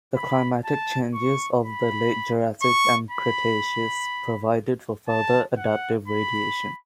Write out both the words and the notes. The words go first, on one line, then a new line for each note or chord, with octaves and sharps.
The climatic changes of the late Jurassic and Cretaceous provided for further adaptive radiation.
B5
A5
C#6
B5
C#6
B5
A5
F#5
B5